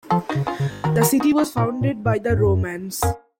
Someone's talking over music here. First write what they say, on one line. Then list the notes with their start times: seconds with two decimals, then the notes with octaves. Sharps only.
The city was founded by the Romans.
0.10 F3 F4 A4
0.29 D#4 F#4
0.35 C#3
0.47 C#4 F4
0.59 C#3
0.84 D#3 F#4 A#4
1.01 F#4 A#4
1.20 D#4 F#4
1.38 C#4 F4
1.57 A#2 C4 D#4
1.81 A#2
2.05 A2
2.30 F#2
2.37 A2
2.45 F#2
3.02 F2 A#3 C#4